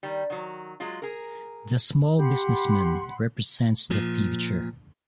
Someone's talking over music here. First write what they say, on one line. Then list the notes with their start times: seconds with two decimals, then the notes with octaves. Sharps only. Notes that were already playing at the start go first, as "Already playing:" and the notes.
The "Small Businessman" represents the future.
0.03 D#3 G3
0.30 D#3 F#3
0.80 F#3 G#3 F4
1.02 G#4 A#4
2.18 G4 F#5 B5 C6
3.90 A#2 F3